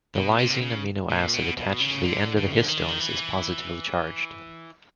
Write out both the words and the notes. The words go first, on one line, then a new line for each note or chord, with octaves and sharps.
The lysine amino acid attached to the end of the histones is positively charged.
B2
C3
C#3
A#2
B2
B2
C#3
D3
D3
C#3
D3
D#3
D3
D#3
E3